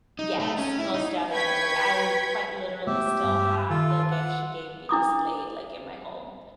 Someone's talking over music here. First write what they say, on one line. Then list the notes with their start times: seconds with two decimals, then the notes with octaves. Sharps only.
Yes, most definitely. I l quite literally still have the gift she gave me displayed, like, in my home.
0.19 D#4
0.40 A3
0.58 C#4
0.78 E4
0.94 D#4
1.30 B4 G5 C#6 G#6 B6
2.87 G#3 A3 B3 G4 E5
3.23 G2
3.70 D#3 F4 A4
4.11 F#5
4.89 D4 E4 D6 D#6